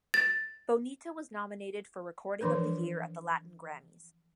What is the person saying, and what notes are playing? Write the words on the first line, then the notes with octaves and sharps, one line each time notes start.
"Bonita" was nominated for Recording of the Year at the Latin Grammys.
A6
E3 F3 D4 A#4 B4